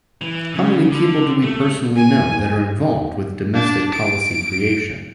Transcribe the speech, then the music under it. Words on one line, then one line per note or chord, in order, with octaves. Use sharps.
How many people do we personally know that are involved with domestic policy creation?
E3
C#3
D3
A3
G#5
D4
D7